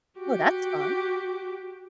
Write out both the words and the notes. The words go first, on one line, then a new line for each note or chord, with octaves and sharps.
Oh, that's fun.
F#4 G4